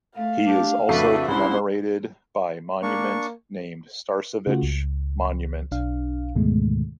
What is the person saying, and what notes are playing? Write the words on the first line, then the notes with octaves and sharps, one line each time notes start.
He is also commemorated by monument named "Starcevich Monument".
A3 F5
D4 G4
F2 C#3 A3 D4 F#4 B4 E5 C7
C2 A#3 C#4 E4 C5
A#3 D4 C#6
C#3 A3 F4 F#4
C#2
B1 D4 F5
D2 G#2 B2 D#3 G#3 A3